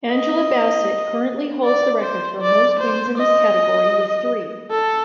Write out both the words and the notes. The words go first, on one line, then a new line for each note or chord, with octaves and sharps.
Angela Bassett currently holds the record for most wins in this category, with three.
D#5
D5
C5
D5
C5
D#5
A4